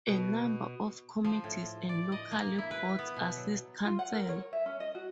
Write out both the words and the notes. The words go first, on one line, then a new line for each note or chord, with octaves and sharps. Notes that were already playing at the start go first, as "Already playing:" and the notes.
A number of Committees and local Boards assist Council.
B2
F3
A2
D5
D#5
A#3
E4
B4
B3
B2
F#3
F4
F#5
A#4
C#5
E5
C#4
D#5
F#4